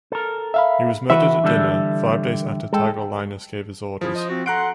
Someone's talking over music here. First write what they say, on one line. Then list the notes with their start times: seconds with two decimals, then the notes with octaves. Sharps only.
He was murdered at dinner; five days after Tigellinus gave his orders.
0.12 A4 A#4
0.54 E5 F5 B5
1.10 E3 F#4 B4 E5
1.44 D3 G3 A4
2.73 G#3 A4 G5
4.01 F3 C#4 E4 G#4
4.15 C5 D#5
4.29 C4 F#4
4.46 A4 F#5 A#5 C6 F#6 D7